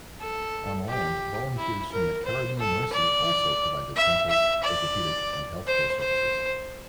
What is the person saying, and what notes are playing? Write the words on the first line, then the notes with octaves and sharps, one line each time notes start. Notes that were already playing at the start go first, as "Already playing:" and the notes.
On land, volunteers from the "Caribbean Mercy" also provided dental, orthopedic and healthcare services.
A4
G4
E4
A#4
C5
A4
D5
E5
E5
D5
C5
C5